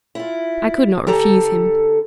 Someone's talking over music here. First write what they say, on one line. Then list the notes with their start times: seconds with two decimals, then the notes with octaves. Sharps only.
I could not refuse him.
0.15 E4 F4
1.07 D3 G4 A4 A#5